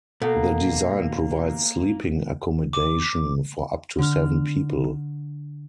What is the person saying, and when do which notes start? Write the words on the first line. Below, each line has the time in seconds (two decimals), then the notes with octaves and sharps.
The design provides sleeping accommodation for up to seven people.
0.22 B2 A#3 A4
2.73 D6
3.98 D3 F6